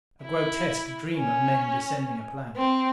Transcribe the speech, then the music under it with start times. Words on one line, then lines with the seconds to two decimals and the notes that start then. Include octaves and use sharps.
A grotesque dream of men descending a plank.
0.24 E4
1.17 C#4
2.56 C4